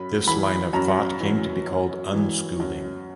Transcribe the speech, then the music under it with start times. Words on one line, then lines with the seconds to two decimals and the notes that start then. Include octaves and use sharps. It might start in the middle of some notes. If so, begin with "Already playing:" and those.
This line of thought came to be called unschooling.
Already playing: F#2 B5
0.27 E3 B5
0.73 F#2 A#5
1.21 E3
1.67 F#2
2.13 E3
2.60 F#2